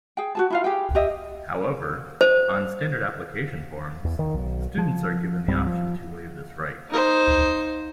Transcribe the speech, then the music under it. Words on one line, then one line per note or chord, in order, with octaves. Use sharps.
However, on standard application forms, students are given the option to waive this right.
G#4 G5
F#4 G#4 A5
E4 F4 F5
G4 G#4 G5
G4 D#5 E5
C5
E2
D#3
B1
F3
C#2 G#2 G3 C4
F3
D#4 C5